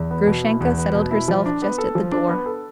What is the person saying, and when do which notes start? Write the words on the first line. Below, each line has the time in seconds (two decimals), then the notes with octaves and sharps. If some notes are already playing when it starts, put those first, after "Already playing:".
Grushenka settled herself just at the door.
Already playing: E2
0.11 B3
0.27 B2
0.45 E4
0.61 E2
0.78 B3
0.95 B2
1.11 E4
1.28 F3
1.46 D4
1.62 B3
1.78 A4
1.95 F3
2.12 D4
2.29 B3
2.46 A4